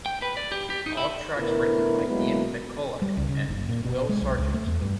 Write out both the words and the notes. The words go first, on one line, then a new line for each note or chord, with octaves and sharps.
All tracks written by Ian McCulloch and Will Sergeant.
G5
B4
D5
G4
G4
D#4
E4
A2 D3 B3 E4 A#4
F#3 G#3 A#3 B3 E4
G3
C#2
C#3
F#1
A#2
B2
G#3
B1
C#2
A3
E2
G2